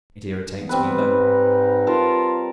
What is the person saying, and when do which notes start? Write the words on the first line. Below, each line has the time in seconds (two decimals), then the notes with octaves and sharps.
It irritates me though.
0.56 E3 B3
0.69 G3 C4 B4
1.08 G#2 D#4
1.87 F4 A#4 A5